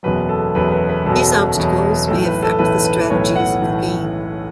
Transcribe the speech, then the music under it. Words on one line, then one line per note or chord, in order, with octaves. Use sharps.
These obstacles may affect the strategies of the game.
F#1 E2 B2 F#3 B4
A4
F#1 E2 B2 F#3 B4
B4
B4
F#1 E2 B2 F#3 A4
F#1 E2 B2 F#3
B1 A2 E3 A4
B4
A4
B1 A2 E3 B4
B4
B1 A2 E3 C#5
F#5
A2 E3